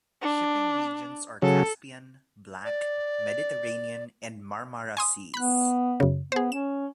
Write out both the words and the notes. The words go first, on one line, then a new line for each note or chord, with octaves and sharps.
Shipping regions are Caspian, Black, Mediterranean and Marmara Seas.
D4
C#3 F#3 A4
D5
G#5 C6 D#6
B3 B5 F#6
F#2 C#3
B3 G#4 C5
C#4 E7